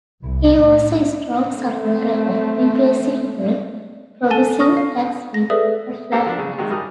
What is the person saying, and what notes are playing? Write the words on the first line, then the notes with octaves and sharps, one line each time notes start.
He was a strong supporter of replacing the progressive tax with a flat tax.
C2
A2
A3 C4
A4 G#5 A5 A6 D#7 G7
C#6 D#6 F6 A#6
F5
A#6
G#4 A4 B4 D5 E5 D#6
A#3 C4 D4 G4 A4
F3 D4
C#3
C3 D#3 F#3 G#3
G3 A#4 D#6